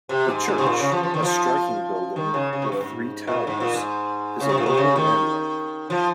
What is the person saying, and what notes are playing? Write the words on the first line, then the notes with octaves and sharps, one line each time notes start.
The church, a striking building with three towers, is a local landmark.
C3
G#2
G#2
C3
A#2
C#3
F3
F3
D#3
F3
D#3
C#3
C#3
C3
G2
G#2
A#2
G#2
A#2
G#2
C#3
C3
A#2
C3
C#3
D#3
F3